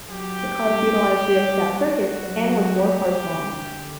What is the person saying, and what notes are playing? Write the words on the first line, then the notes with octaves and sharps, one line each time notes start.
The cars utilized rheostat circuits and were four cars long.
F#3 G4
G3
G3
F#4
F#3
G4
D3